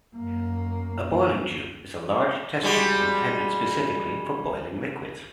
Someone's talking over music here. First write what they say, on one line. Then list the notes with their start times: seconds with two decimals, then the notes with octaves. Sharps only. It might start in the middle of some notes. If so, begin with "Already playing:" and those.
A boiling tube is a large test tube intended specifically for boiling liquids.
0.17 F#2 A#3
2.63 G3 G#3 F#4